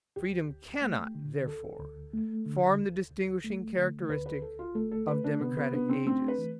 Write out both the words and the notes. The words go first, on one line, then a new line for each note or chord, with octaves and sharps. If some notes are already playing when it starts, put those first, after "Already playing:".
Freedom cannot, therefore, form the distinguishing characteristic of democratic ages.
D2 G4
D2
A3
D3
D2 A4
D2
A3
D3
D2
D2
A3
D3
D2 B4
B4
D2 A4
F4
A3 A4
A4
D3 B4
D4
C3 B3
B3
B3 D4
C4
A3 C4
B4
E3